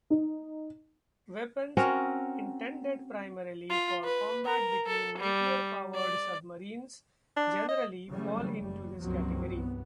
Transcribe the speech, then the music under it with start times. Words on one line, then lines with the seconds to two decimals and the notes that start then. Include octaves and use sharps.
Weapons intended primarily for combat between nuclear-powered submarines generally fall into this category.
0.10 D#4
1.77 C4 C#4 F#4 A#4
3.70 F4
4.03 B4
4.46 A#4
4.86 A4
5.19 G3
5.95 D5
7.37 D4
7.69 D#5
8.09 C#3 E3 F#3 G3 A3
8.58 F#1 D#2 G3
9.00 C#2 G2 F3 F#3 A#3 C4
9.51 C2 B3